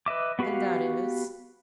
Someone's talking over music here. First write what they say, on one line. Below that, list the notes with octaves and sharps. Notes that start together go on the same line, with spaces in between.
"And that is?"
B4 D#5 E5 D6
B3 F#4 G4 B4 F5